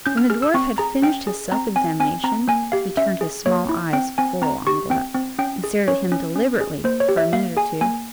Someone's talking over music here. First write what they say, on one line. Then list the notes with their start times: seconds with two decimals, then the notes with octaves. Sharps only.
When the dwarf had finished his self-examination, he turned his small eyes full on Gluck, and stared at him deliberately for a minute or two.
0.06 C#4 G6
0.17 F6
0.30 G#4 F6
0.42 E6
0.54 C4 C#6
0.78 G#4 A#5
1.02 C#4 G5
1.27 G#4
1.52 C4 A#5
1.76 C4 G#5
2.00 C4 G#5
2.24 C4 A#5
2.48 A#3 G#5
2.72 G4 F5
2.97 C#4 E5
3.21 G#4
3.46 A#3 C#5
3.69 E4
3.93 C4 G5
4.18 C4 G#5
4.42 C4 A#5
4.67 G4 C#6
4.90 C4 G5
5.15 C4
5.39 C#4 G5
5.64 G#4
5.88 C#4 C#5
6.12 C#4
6.36 C#4
6.61 G#4
6.84 A#3 C5
7.00 C#5
7.09 G4
7.17 E5
7.33 A#3 F5
7.57 G#4 G#5
7.81 A#3 G#5